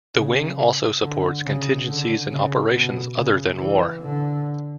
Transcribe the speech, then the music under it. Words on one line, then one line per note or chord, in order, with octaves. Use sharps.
The wing also supports contingencies and operations other than war.
C#3
D3
C#3
D3
C#3
B2
C#3
E3
D3